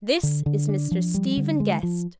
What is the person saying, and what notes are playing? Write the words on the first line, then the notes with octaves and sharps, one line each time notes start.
"This is Mr. Stephen Guest."
D3
D3
D4
F3
G3
D3
G#3
F3